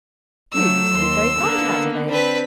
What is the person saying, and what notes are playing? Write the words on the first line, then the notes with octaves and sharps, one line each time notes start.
"You used to be very fond of Adelaide."
F3 F#3 A3 E6
D#2 C6
D3 A#3 B3
C4 D4 B4 B5 B6